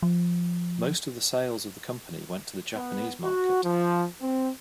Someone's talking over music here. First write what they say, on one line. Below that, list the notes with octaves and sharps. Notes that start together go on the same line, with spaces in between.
Most of the sales of the company went to the Japanese market.
F3
B3
F#4
F3
C4